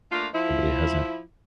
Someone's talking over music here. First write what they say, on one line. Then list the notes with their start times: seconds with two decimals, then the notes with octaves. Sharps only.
somebody has it.
0.12 A3 A#3 D4 F4
0.34 F3 E4